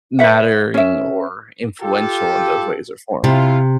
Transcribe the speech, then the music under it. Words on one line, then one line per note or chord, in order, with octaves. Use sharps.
mattering or influential in those ways or form.
B4 E5 F#5
C#4 E5
F4 G4 A4
C3 E4 F4